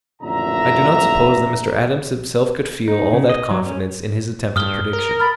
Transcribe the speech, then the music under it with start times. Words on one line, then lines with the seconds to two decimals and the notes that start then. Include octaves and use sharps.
I do not suppose that Mr. Adams himself could feel all that confidence in his attempted prediction.
0.22 A1 F2 A#2 D3 E5 A#5
2.88 D#4
3.13 C#3
3.30 D#5
3.51 F#3
3.66 C#4
4.56 G2 D#6 F6 G7
4.93 A#4
5.20 B5 F6 A6